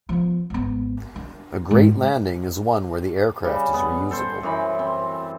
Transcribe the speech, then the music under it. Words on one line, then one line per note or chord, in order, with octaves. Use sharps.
A great landing is one where the aircraft is reusable.
F3 B3
G#1 B3
D4
G#2
C#3 G3
B3
A4 C5
F#2 E3 B5
C4